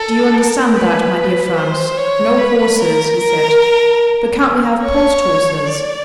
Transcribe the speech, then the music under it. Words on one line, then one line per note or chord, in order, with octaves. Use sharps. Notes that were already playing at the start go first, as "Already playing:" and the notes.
"Do you understand that, my dear Franz--no horses?" he said, "but can't we have post-horses?"
Already playing: A4
A#4
B4
C5
C#5
B4
A#4
A#4
C#5
D5